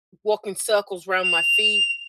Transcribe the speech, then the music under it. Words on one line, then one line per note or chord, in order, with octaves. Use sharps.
walking circles 'round my feet.
F7